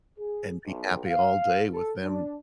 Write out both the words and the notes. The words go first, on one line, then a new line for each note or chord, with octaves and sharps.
and be happy all day with them
G#4
B1
F5
A4
D4